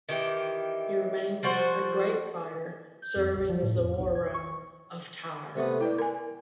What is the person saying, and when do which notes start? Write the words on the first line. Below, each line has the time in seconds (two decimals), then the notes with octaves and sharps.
He remains a great fighter, serving as the wararm of Tyr.
0.09 D#3 E3 G4
1.43 F3 G3 F#4 C5
3.02 G6
3.16 F2
3.35 A#1
3.49 F3
3.63 A2
3.77 F2
3.98 B1
4.15 G#6
4.34 C#6
5.55 C3 A3 B3
5.81 E4 B4 D5 G5
5.98 A#4 G#5